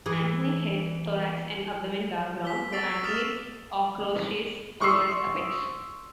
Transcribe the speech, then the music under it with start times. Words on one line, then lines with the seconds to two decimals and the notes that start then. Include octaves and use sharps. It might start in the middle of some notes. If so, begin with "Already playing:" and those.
Antennae, head, thorax and abdomen dark brown; the antennae ochraceous towards apex.
0.06 E3 G#4
2.45 B6 G7
2.72 C#6 D6 E6 A6 C7 D7
3.04 D6 D#6 F6 A6 E7 F7
4.80 C6 C#6 D#6 E6 C7